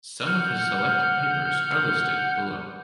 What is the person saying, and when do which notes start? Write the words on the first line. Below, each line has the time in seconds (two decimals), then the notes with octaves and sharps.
Some of his selected papers are listed below.
0.26 F#5 F6 G6